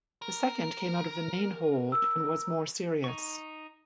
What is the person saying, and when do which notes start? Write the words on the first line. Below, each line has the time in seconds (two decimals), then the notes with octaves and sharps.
The second came out of the main hold and was more serious.
0.22 A#4
1.92 E6
3.04 D#4 C#6